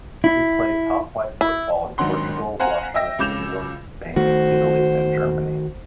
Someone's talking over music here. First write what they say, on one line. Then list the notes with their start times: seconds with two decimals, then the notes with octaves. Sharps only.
He played top flight football in Portugal, Russia, England, Spain, Italy and Germany.
0.24 E4
1.41 E4
1.98 G#1 D#3 F#3 D4 F#5 C6
2.60 C5 F5 F#5 G#5 A#5
2.94 D#5 E5 G5 E6 A#6
3.19 C#2 C#3 D6 G6 E7 F7
4.16 D#3 A3 F#4 C5